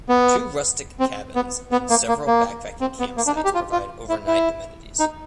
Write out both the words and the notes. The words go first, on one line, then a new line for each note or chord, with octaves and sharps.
Two rustic cabins and several backpacking campsites provide overnight amenities.
B3
C4
B3
B3
A#3
A#3
A#3
C4
B3
A#3
D4
D#4
G4
F4
F4
E4
E4
D#4